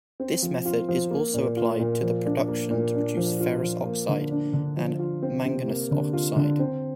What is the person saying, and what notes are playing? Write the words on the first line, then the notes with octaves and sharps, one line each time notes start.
This method is also applied to the production of ferrous oxide and manganous oxide.
C4
F3
F4
F3
A#3
A#2
F4
A#2
F3
D4
A#3
A#2
D4
F3
F4
F3
A#3
D3
D4
D3
F3
F4
C4
C3
A#3
D3
F4
D3
C4